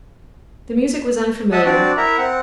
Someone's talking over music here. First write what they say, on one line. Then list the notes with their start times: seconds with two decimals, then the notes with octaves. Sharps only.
The music was unfamiliar.
1.52 D#5 E5 F#5 A5 D#6
1.65 C4 D4 F#4 D5
1.97 E4 A#4 E5 A#5
2.18 C4 F#5